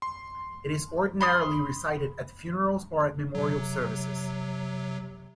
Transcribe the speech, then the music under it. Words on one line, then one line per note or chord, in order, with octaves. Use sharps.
It is ordinarily recited at funerals or at memorial services.
C6
B5 C6 D#6
C3 F#3